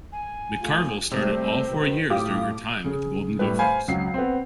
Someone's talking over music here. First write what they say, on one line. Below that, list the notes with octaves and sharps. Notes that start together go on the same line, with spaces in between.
McCarville started all four years during her time with the Golden Gophers.
G#5
A3 F4
C3 G3 A3 C5
G#2 B2 D#3
A2 F4 G4 D6 D#6
C#3 G#4
A2 G3 B4
C5 F5 G#5 B5
C#2 F#3 C7
B3 C4